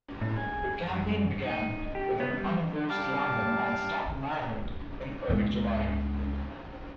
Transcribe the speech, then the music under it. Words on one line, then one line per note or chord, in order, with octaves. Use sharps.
The campaign began with an unopposed landing on Staten Island in early July.
A2
G#4
F#2
D#4
G4
B3
G3
G3 F5 A5 D6
C#2 B3